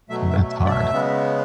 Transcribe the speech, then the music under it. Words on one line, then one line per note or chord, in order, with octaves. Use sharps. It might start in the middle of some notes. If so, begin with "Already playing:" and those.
That's hard.
B2 F#3 A3 E5
E5
E5
D5
E5
C#3 G#3 B3